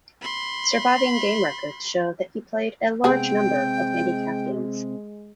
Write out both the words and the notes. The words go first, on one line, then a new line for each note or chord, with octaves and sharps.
Surviving game records show that he played a large number of handicap games.
B5 C6
C3 G#3 B3 C4 G#4 B4 G5